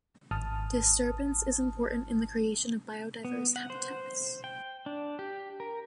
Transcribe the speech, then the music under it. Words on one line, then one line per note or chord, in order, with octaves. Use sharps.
Disturbance is important in the creation of biodiverse habitats.
G#1 A5 D#6 F6
B3
F#5
C5
G5
D4
G4
A#4